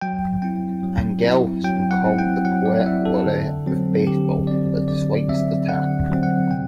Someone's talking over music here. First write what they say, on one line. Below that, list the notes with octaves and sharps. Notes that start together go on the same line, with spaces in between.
Angell has been called the "Poet Laureate of baseball" but dislikes the term.
F#3 G5
C4 E4 G5
F#3
C4 E4
F#3 G5
F#5
C4 E4
G5
F#3 F#5
D5
C4 E4 E5
A4
D3
F#3 C4
D3 G4
F#3 C4 D5
D3 D5
F#3 C4 E5
D3 F#5
F#3 C4
F#5
C3 G5